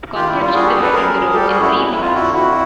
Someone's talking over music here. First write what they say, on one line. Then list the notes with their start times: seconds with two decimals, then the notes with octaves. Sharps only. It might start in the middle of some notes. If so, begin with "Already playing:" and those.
Conception divided the Road in three parts.
0.14 D#3 F4 G4
0.27 E4
0.34 G3
0.41 F4
0.54 G3 F#4 G#4
0.67 G4 A4
0.74 F#2
0.81 A4 B4
0.93 F#2 G#4 A#4
1.13 G3
1.33 G3 G4 A4
1.47 F#4 G#4
1.54 F#2
1.60 E4 F#4
1.74 F2
1.87 E4
1.94 F2
2.00 F4
2.14 D3 E4 F#4
2.33 F2 E4 F#4